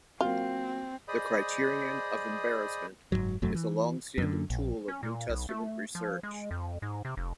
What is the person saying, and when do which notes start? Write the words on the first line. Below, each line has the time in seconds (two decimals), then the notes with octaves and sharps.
The criterion of embarrassment is a long-standing tool of New Testament research.
0.21 F#3 A#3 C4 F4
1.08 G#4 C5 D5 D#5 B5 D#6
3.12 F#1 F2 G#2 F#3
3.42 E1 F#2 F#3 A3
3.55 E3
4.18 F#2 D3
4.50 A#1
4.88 C#4
5.03 A#2
5.29 B1
5.49 A3
5.95 F3
6.23 G#3
6.51 F2
6.82 G#2
7.05 C3
7.17 F1